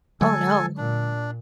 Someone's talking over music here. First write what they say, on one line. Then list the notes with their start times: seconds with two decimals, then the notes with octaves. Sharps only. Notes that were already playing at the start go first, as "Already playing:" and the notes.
Oh, no.
0.21 D3 F#3 G#3 A4 G#5
0.77 A#2 D4